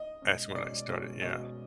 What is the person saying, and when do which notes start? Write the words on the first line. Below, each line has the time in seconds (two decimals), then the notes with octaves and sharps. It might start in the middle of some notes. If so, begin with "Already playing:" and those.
as when I started, yeah.
Already playing: D#5
0.22 B2 G#3 C#4
0.55 B2 G#3 C#4 D5
0.88 B2 G#3 C#4
1.21 B2 G#3 C#4 D#5